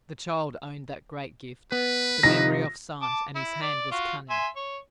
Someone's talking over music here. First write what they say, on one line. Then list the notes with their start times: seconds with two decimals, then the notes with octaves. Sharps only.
The child owned that great gift, the memory of sight, and his hand was cunning.
1.72 B3 B4
2.23 C3 F3 D#4 A#6
3.02 A5 D6
3.35 E4
3.62 D5
3.91 F4 F#4
4.30 E5 G#5 C6
4.56 C#5